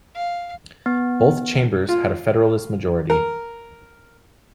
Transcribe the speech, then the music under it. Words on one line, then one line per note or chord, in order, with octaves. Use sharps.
Both chambers had a Federalist majority.
F5
B3
F4
A#4